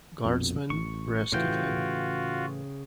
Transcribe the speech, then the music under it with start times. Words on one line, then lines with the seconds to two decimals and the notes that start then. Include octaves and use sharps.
Guardsmen rescued him.
0.25 A#1 F2 B2
0.70 A1 C#6
1.32 A2 C#3 E3 F4 F#4 G5